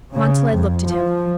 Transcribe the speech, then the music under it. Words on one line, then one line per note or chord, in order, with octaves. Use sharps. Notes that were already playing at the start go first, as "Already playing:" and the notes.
Montalais looked at him.
C#3
F2
F3